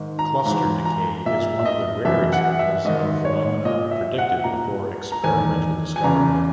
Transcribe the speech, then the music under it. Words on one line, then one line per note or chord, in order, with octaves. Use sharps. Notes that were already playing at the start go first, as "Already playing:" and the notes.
Cluster decay is one of the rare examples of phenomena predicted before experimental discovery.
Already playing: G#2 D#3
A#5
G#2 E3 A#5
A#5
A#2 E5
E5
D#5
F#2 E3 E5
F#5
E5
G#2 D#3 D#5
C#5
A#2 D#5
E5
F#5
A#2 A#5
A#5
E2 D#3 G#5
G#5
E2 C#3 E3 A#5